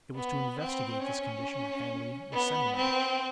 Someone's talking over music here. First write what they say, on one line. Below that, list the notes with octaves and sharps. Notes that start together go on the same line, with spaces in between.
It was to investigate this condition that Hanley was sending me.
B3
C4
C#4
B3
C4